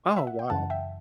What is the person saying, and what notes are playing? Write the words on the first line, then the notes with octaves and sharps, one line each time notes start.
Oh, wow.
E5
F#5
G5
F#2 C#3 E3 F#5 A5
E5 G5